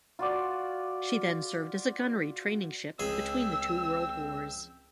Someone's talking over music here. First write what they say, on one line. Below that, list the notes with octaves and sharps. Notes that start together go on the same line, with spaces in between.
She then served as a gunnery training ship between the two world wars.
F4 F#4 D5
C#2 C4 G#4 E6